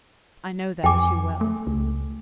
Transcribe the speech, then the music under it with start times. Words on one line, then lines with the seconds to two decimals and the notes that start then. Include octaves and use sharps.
I know that too well.
0.84 F2 G5 G#5 D6
1.41 A3
1.67 C#2